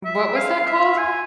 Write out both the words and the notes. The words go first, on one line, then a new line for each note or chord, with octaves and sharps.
What was that called?
E5
F5
E5
G#5